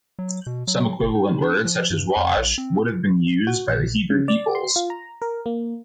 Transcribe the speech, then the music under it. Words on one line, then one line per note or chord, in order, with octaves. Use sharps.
Some equivalent word, such as "wash", would have been used by the Hebrew peoples.
F#3
B2
F#3
F#1
D#4
D4
F3
G2
F2
A#1
C4
F#4
A#1
C#3
D5
C6
F4
A#5
A#4
A#3